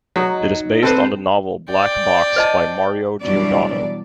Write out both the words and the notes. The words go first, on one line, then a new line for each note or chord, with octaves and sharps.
It is based on the novel "Black Box" by Mario Giordano.
F#3 D#4
C4 A4 B4 C5
D5 G5
C5 D#5 A5
B2 E3 F#3 G3 D4 D5